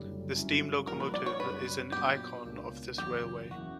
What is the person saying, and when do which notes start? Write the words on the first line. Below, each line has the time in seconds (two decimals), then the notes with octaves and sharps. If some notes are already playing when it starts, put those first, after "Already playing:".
The steam locomotive is an icon of this Railway.
Already playing: F#1 F#2 D3 G3
0.34 G2 D3 F#3 C#4 E4
0.87 A#1 A#2 G3 A#4
1.00 B4
1.14 D5
1.26 C#5
1.40 F#2 C#3 G3 B4
1.92 A#2 F#3 B3 D4 G4
2.45 C#2 B2 A#3 D4
2.98 F#1 E2 C#3 F#3 C#4 G4
3.51 E2 B2 A#3 C#4 E4 F#4